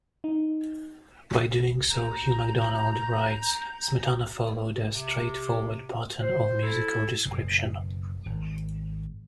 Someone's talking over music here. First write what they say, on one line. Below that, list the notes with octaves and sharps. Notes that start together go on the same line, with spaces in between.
By doing so, Hugh Macdonald writes, Smetana followed "a straightforward pattern of musical description".
D#4
A#5 G6
C3
C5
E4 A4
F#1 B2
G#1